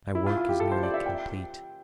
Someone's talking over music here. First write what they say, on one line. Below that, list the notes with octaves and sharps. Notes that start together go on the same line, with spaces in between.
My work is nearly complete.
E4
F4
F4
G4
A4
C5
D5
E5
G5